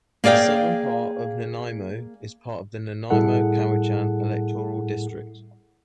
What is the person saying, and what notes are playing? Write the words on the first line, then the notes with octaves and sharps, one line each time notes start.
The southern part of Nanaimo is part of the Nanaimo-Cowichan electoral district.
A#3 G#4 D5 F5 G5
A2 G3 E4 G#4 A4 F#5